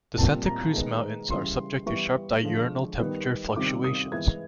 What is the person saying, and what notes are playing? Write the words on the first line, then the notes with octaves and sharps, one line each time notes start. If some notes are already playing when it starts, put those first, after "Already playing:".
The Santa Cruz Mountains are subject to sharp diurnal temperature fluctuations.
A#2 G3 C4 A5
A#5
D#3 G#3 B3
C#3 E3 G3 C6
E3 G3 B3 C#6
D3 F3 G#3
D#3 G3 B3
C3 D#3 G3 C4 D6
D#6
E3 G#3 B3 G#6